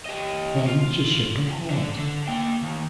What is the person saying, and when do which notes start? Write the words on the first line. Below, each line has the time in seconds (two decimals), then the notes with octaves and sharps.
Then she shook her head.
0.05 G4 D#5
0.68 F4
1.70 D3
1.98 D3
2.28 A#3 G5
2.63 D#2